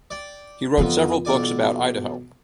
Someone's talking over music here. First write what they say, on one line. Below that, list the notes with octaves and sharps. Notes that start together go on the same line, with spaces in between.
He wrote several books about Idaho.
D5 G5
F2 E3 B3 F4
B1 D5 G#5